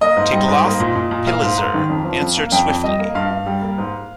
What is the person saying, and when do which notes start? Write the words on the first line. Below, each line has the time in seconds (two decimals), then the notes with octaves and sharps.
Tiglath-Pileser answered swiftly.
0.01 A#3 D#5
0.17 G#2
0.32 G3
0.48 G#2
0.64 A#3
0.80 A#2
0.95 A#2
1.11 A#2
1.26 A#3 F5
1.42 G#2
1.58 G#2
1.74 D#3
1.89 F2
2.05 F3
2.21 F2
2.37 A#3
2.52 F2 G5
2.68 F2
2.84 G3 D#5
2.99 A#3
3.15 G2 F5
3.30 G2
3.46 G3
3.62 A#3
3.78 G#2